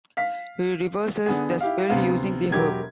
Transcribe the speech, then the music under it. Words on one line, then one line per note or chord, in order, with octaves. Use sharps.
He reverses the spell using the herb.
F5 B6
D3 B3 G#4
E4 G4 F5
D2 C3 B3 F5
E1 F#3 G4 A#4 G#6